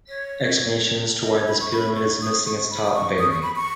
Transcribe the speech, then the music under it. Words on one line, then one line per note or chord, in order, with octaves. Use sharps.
Explanations to why this pyramid is missing its top vary.
C#5
D#5
C#5
B5
C#6
B5
C#6
D#6
C#6
B5
D#6
C#6
D#6
C#6
B5
C#6